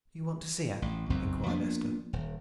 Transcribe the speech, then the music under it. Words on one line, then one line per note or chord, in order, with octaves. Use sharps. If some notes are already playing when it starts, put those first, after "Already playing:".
"You want to see her?" inquired Esther.
A1
F#1 B1 F2 C4
F3 A#3 B3 D4
D#1